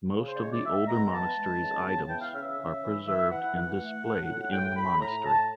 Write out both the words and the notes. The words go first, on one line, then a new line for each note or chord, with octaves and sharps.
Most of the older monastery's items are preserved and displayed in the monastery.
C#3
C5
D5
G#3 C#5
D5
G#3 E5
B3 A#5
E3 A5
G#3
C#3
B3
E3 G5
F5
C#3 E5
E5
C#3
E3
E3 E5
E3 F#5
E3 F#5
A3
A2
A2
A2 G5
A2 B5
A2 A#5
A2 A5